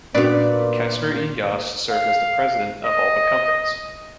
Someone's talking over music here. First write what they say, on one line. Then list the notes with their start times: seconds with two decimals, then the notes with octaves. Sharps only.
Casper E. Yost served as the president of all the companies.
0.15 A#2 A#3 B3 C#4 D4 F#4 B4 D5
1.91 F5
2.85 D#5